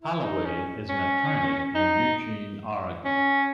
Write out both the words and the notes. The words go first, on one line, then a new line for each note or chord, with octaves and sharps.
Holloway is an attorney in Eugene, Oregon.
E4
D#4
C#4
C#4
D#4
C#4